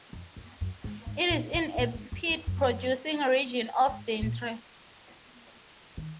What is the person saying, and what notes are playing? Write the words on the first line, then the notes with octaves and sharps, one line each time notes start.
It is in a peat-producing region of Drenthe.
F2
F#2
F#2
G#2
G#2
A#2
B2
A#2
G#2
F#2
F#2
F#2
G#2
A#2
D#3